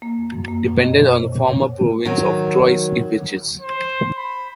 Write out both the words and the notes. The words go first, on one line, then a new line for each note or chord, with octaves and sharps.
Depended on the former province of the Trois-Évêchés.
A#3
F2
F#2
A#3
B2
D#5
C#5
C5
A#2
C#5
D#3 F#3
C5
B5